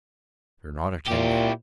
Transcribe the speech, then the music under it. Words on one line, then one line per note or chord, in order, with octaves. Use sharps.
You're not attending.
A#2 E4 G4